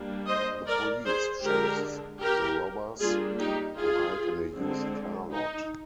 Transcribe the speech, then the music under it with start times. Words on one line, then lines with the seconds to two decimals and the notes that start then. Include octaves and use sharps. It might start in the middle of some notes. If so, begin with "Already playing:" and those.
The police chase the robbers, who hide in a used car lot.
Already playing: G3 A#3 D4
0.28 C5 D#5
0.67 A#4 D5
1.06 G#4 C5
1.45 D3 G#3 D4 G4 A#4
2.22 G4 A#4
3.00 G3 A#3 D4 F4 G#4
3.38 D#4 G4
3.77 F4 G#4
4.55 D3 G#3 C4
5.33 D#4